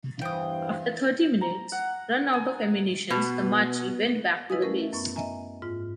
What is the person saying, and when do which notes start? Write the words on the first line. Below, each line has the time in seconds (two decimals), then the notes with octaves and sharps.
After thirty minutes, run out of ammunitions, the Macchi went back to the base.
0.22 E2 G2 E3 C5 F5 G5 D#6
1.41 A#5
1.72 F#5
2.33 G#5
3.10 B2 B3
4.50 E4 B4 D#5 F5 G#5 D#6
4.62 A3 C#4 A#4
4.80 E5
4.93 F#2 B3 C#6
5.16 D#5 E5 G#5 A#5
5.62 G#2 F4